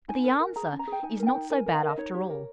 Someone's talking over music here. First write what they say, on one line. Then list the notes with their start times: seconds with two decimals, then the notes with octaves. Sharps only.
But the answer is not so bad after all.
0.08 D#4 G#5
0.24 A#4
0.40 A#4
0.56 G#4 A#5
0.72 C#4
0.79 A#5
0.87 G#4 G5
1.03 D#4 G#5
1.20 A#4 G#5
1.27 G5
1.35 D#4
1.51 A#4 G#5
1.66 A#4
1.74 F5
1.83 A#4
1.89 D#5
1.98 D#4 C#5
2.14 G4
2.30 A#4